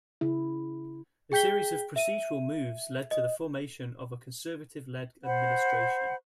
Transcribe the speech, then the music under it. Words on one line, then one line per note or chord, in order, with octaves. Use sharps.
A series of procedural moves led to the formation of a Conservative-led administration.
C#3 E4
G#4 G5 G6 B6 G7
E5 D#7
D#5
C5 F#5 B5